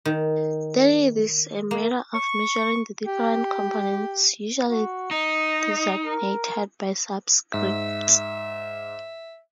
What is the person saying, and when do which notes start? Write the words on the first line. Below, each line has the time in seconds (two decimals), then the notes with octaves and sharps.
Then it is a matter of measuring the different components, usually designated by subscripts.
0.05 D#3
1.71 A#3
2.14 C#6
3.06 G4
4.69 F#4
5.11 D#4 D#5
6.06 A#4
7.54 G#2 E5